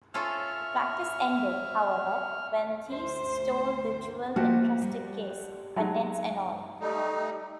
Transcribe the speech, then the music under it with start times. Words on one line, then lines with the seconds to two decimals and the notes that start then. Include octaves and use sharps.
The practice ended, however, when thieves stole the jewel-encrusted case, contents and all.
0.14 C#4 F4 A4 C#5 E5 F6
2.91 D2 C5
4.36 F3 A3 A#3 F#4 G4 F#5
4.82 G3
5.76 F#3 G#3 D#4
6.80 G3 A3 D#4